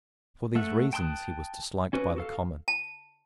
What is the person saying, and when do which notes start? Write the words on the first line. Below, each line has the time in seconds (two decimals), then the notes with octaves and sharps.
For these reasons he was disliked by the Commons.
0.55 A3 E5 F#5
0.93 G5 A5 C6 D#6 F#6
1.93 C#4 F#4 B4
2.16 F#4 A4 F5
2.68 A5